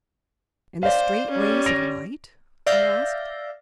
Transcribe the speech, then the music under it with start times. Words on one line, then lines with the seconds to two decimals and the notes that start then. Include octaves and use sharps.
"And the straight rays of light?" I asked.
0.83 C5 D5 F5
1.30 G3 C#4
1.66 A#6 D7 F7
2.66 D5 E5 F5 G6 A#6